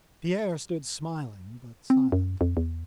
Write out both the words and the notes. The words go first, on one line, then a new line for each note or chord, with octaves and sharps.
Pierre stood smiling but silent.
C4
F#2
F2
E2